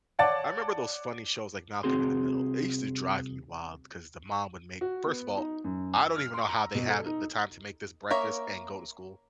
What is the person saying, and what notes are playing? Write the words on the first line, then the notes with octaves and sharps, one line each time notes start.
I remember those funny shows like Malcolm in the Middle, it used to drive me wild because the mom would make first of all, I don't even know how they had the time to make this breakfast and go to school
C#5 D5 F#5 A5 D6 A6
C2 C4 F#4 G#4 C6
F#4
B3
D#4
F#2
E6
F6
C6
A#5
B2
A4
D#4
A#3 A#4 C#5 E5